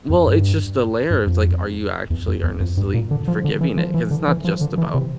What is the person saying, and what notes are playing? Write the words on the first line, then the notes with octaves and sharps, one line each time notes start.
Well, it's just the layer, It's like, are you actually earnestly forgiving it? 'Cause it's not just about,
F2
G2
G2
F2
E2
F2
E2
F2
G2
A#2
D3
F3
D3
E3
F3
E3
D3
E3
F3
D3
E3
C3